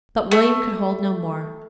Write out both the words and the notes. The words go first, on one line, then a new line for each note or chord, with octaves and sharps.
But William could hold no more.
A3